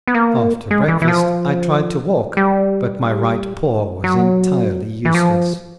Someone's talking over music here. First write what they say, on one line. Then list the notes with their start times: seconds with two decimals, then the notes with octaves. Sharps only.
After breakfast I tried to walk, but my right paw was entirely useless.
0.07 B3
0.14 A#3
0.71 G#3
0.88 E3
1.02 E3
1.08 F3
2.37 G3
4.04 F#3
5.05 E3
5.15 F3